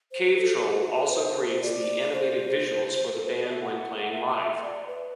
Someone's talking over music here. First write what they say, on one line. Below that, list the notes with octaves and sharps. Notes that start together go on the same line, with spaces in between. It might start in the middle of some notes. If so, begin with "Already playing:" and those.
Cavetroll also creates the animated visuals for the band when playing live.
C5
A4
G4
F#4
B4
C5
D5
C5
A4
B4
A4
D5
E5
F#5
E5
F#5
E5
D5
B4